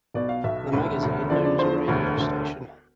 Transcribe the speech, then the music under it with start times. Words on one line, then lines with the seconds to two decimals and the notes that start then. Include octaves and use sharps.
The magazine owns a radio station.
0.14 B1 B2 D5
0.29 F5
0.44 B1 B2 E5
0.73 E1 D2 D3
1.01 E1 D2 D3
1.30 E2 D3 F3 D5
1.45 D5
1.59 E2 D3 F3 C5
1.88 E1 D2 D3
2.17 E1 D2 D3